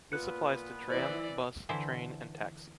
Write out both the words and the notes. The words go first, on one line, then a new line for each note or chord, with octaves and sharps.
This applies to tram, bus, train and taxi.
A#2 B3 F4 B4 F#6 C#7
E3 E4 C5 D5
D3 E3 E4 C5